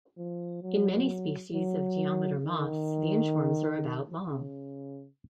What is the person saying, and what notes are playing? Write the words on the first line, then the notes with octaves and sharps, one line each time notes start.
In many species of geometer moths, the inchworms are about long.
F3
F#3
F#3
D#3
C#3